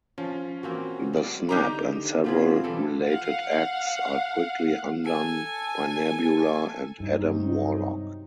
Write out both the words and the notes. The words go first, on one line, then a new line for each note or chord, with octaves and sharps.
The Snap and several related acts are quickly undone by Nebula and Adam Warlock.
F3 C#4 F4
E3 A#3 C4 F#4
G3 D5
D3 D#4 G4 A#5
B2 B3 C4 F4 G#4
E3 G3 A4
F5 F#5
A4 G#5
G2 C3 F#3 D#4